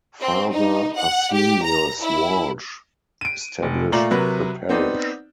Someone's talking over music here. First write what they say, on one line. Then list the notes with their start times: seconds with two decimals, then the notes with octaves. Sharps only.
Father Arsenius Walsh established the parish.
0.21 C4
0.51 D#4
0.95 F#5
1.32 G4
1.64 A#5
2.02 E4
3.21 D7 D#7
3.62 F1
3.92 A#2 A3 F4 D5 A#5 F#7
4.11 C3 F#3 A#4 B4
4.69 B3 C4 D#4 D5